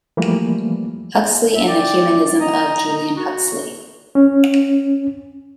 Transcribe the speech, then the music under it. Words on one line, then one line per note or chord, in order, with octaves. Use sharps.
Huxley and the humanism of Julian Huxley.
E3 F3 G3 A3 A#3
E5
D5 G5
D#5 A#5
F#4
C#4